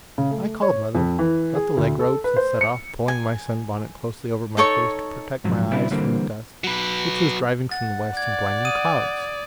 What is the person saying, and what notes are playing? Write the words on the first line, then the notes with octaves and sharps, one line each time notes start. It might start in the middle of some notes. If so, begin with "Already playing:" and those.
I called mother, got the leg-ropes, and set off, pulling my sun-bonnet closely over my face to protect my eyes from the dust which was driving from the west in blinding clouds.
C#3
A3
C#5
F2
E3
G#4
D2
A4
B4
C5
C#7
G#5
D#4 A4 C#5 C#6
G#2 F3 F#3
C#3 G3 C4 D4 E4
D3 E3 G3 A#3 C4
F#3 B4
F#5 A6
D5 G#6
D#6 D#7